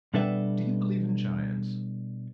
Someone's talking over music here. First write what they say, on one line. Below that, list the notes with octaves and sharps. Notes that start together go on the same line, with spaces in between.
Do you believe in giants?
B2 G3 D4 A4 B4 E5